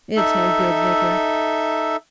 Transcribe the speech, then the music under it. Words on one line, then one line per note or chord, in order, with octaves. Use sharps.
'It's no good, Vicar.
D#4 A4 E5